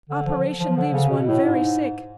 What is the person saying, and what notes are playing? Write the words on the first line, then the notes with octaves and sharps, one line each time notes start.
Operation leaves one very sick.
D3
F3
F3
F3
D3
C#3
B2
A2
G#2